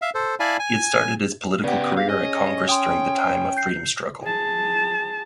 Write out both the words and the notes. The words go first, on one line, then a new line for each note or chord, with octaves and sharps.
He had started his political career at Congress during the time of freedom struggle.
E5 F5
A4 C5
E4 D5 F5 G#5 A5 B5
G#5
C#3 B3 G4 D5 F#5
G#4 F5
C#4 D#5
G5 C6 D#6
G6 C7
G#4 A5